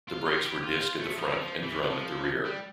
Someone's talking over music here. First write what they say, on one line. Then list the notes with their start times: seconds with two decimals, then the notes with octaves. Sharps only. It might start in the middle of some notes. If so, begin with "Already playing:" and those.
The brakes were disc at the front and drum at the rear.
0.09 F4
0.27 F4
0.45 G4
0.63 F4
0.81 F4
1.00 A3
1.18 F3
1.28 G3
1.36 F3
1.63 E3
1.82 E3
1.90 F3
2.45 G3